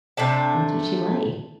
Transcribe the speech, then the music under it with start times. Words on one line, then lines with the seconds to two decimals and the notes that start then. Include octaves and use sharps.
that's what she likes.
0.17 C3 A3 D4 A5